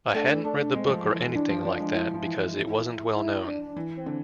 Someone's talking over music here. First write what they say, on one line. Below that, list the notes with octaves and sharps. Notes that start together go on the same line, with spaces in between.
I hadn't read the book or anything like that because it wasn't well-known.
A3 D4
A3 D4
G#3 C4
F3
E3
E3
E3 D4
F3
D4
F3
G#3 D4
F3 E4
F3
E3
E4
D4
E3
C4
D3